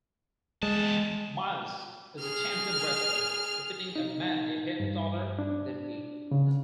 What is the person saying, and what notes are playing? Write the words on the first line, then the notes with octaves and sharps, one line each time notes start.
Myles is a champion wrestler, defeating a man a head taller than he.
E2 G#3 A5
G#4 F6
D#4
G2
D4
C#3